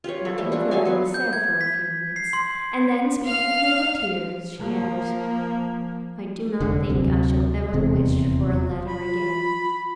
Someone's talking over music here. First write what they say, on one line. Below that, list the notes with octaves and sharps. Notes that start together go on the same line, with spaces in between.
Nothing further was said for a few minutes; and then speaking through her tears, she added, "I do not think I shall ever wish for a letter again!"
F4 G4 B4 C#5
A4
E3 F3 G3 A#3
A3 D4
F#3 A4 F5 G#5
B3 F4 A4 B4
G6
G#6
B6
C7
C6
F5 F6
F3 A#3
F1 D3
D2 C3 F#3
D#1 E2 C3
F4 B5